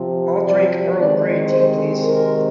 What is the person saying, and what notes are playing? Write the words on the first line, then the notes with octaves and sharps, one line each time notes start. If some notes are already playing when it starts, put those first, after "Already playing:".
I'll drink Earl Grey tea please.
Already playing: C3 F3 C4
D5
C3 D#3 G#3 C4 D5
C5
A#4